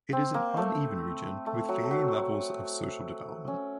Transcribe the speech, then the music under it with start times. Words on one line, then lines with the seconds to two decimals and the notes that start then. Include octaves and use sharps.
It is an uneven region with varying levels of social development.
0.13 C4
0.34 A#3
0.57 A3
1.46 A3
1.69 F#3
1.84 A3
1.91 F#3
2.13 F#3
3.48 C#4